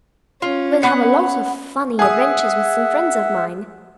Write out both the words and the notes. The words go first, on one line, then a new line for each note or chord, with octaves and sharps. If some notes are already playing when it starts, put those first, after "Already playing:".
We'll have a lot of funny adventures with some friends of mine.
C#4 F4
B3 F#5
G#4 E5 F#5 D#6